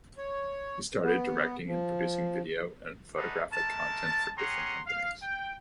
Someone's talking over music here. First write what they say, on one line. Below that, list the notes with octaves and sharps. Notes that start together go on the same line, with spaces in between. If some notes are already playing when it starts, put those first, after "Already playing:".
He started directing and producing video and photographic content for different companies.
C#5
B3
F3
G#3 A3 D4 D#4 B4 F#5
G#3 A3 A#4 A5
C#4 G4 G#4 F#5 A#5 C6
F5
G5